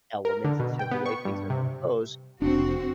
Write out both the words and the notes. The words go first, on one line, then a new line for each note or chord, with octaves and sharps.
element to the way things are composed.
A#4
D3
B2
G5
B3
C#6
G2
C3
F1 C4 D4 F#4